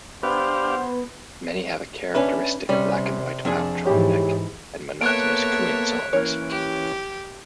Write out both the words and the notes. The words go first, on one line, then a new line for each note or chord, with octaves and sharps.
Many have a characteristic black-and-white patch on the neck, and monotonous cooing songs.
B3 D4 G4 C5 F5
C#4 D4 B4 E5 G#5
C3 G3 C#4 D5
F2 D4 G#4
G#2 E3 G4 C#5
A#3 B3 A4 C#5 E5 F#6 D7
E3 A#3 C#4 C#5
G4